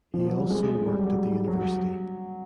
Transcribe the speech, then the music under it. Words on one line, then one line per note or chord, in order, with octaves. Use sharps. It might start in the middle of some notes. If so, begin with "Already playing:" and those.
He also worked at the University.
F3
F#3
G3
G#3
G#3
G3
F#3
F#3